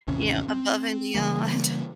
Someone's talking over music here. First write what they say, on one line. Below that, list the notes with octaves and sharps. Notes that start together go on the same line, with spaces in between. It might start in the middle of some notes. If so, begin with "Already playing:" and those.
you know, above and beyond,
A1 D#2 C3 C#4
C4
C#3 E3 G3 A#3